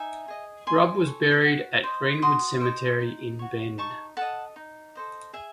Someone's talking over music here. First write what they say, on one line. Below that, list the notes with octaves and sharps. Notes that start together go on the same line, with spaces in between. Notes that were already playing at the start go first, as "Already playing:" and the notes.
Grubb was buried at Greenwood Cemetery in Bend.
Already playing: D#4 E5 G#5
G#4 D#5
E4 G#5 C6
A4 C#5
F#4
C5 D#5
F#4 C6 D#6
C5 D#5
D#4
F#4 C#5
D#4 A5 C#6
A4 D#5 F#5 A5
D#4
A4 C5 D#5
G#4 E5 G#5